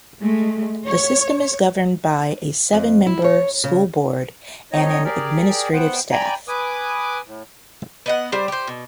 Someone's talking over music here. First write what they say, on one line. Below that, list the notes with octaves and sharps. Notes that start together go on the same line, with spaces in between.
The system is governed by a seven-member school board and an administrative staff.
G#3 A3
C#5
F2
E4
C#5
C#3
C3 F3 C4 D#4 C#5 D#5
G4 G#4 A#4 D5
B3 C5 F#5 G5
D5 G5 G#5 A#5 B5
B4 G#5 D6 D#6
A2
B3 D#5 F#5
G3 C5
G4 C5
B2